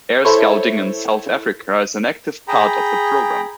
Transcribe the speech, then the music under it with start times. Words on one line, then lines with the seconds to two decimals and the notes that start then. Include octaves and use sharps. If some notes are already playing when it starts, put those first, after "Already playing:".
Air Scouting in South Africa is an active part of the program.
0.25 E4 A4 C5 C#5
2.48 G#4 G5 A#5 B5